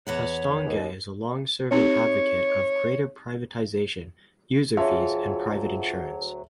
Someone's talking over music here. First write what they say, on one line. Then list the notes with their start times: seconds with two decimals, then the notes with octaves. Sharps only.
Castonguay is a long-serving advocate of greater privatization, user fees and private insurance.
0.07 E2 B4 C#5 F#5
0.65 D#2
1.72 C4 D#4 G4 C#5
4.77 D2 F#3 F4 G#4 C#5 E5 A5